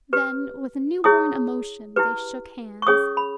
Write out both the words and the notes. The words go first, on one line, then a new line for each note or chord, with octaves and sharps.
Then, with a newborn emotion, they shook hands.
G4 B4
E4 G#4 C#5 D#6
E4 G4 B4
C#6
C#4 G#4 C#5 D#6
B5